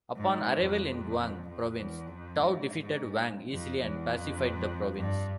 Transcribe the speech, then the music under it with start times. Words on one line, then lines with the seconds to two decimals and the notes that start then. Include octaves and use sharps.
Upon arrival in Guang Province, Tao defeated Wang easily and pacified the province.
0.17 G#2
0.61 F2
1.48 F2
1.77 E2
2.06 F2
2.36 G#2
2.79 G#2
3.52 F2
3.81 E2
4.11 F2
4.97 G2